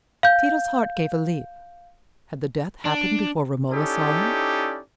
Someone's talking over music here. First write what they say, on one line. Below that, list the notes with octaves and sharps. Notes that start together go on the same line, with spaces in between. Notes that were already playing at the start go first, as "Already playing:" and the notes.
Tito's heart gave a leap--had the death happened before Romola saw him?
F5 G6
D4
C#4 D#4 E4 G4 A4 D5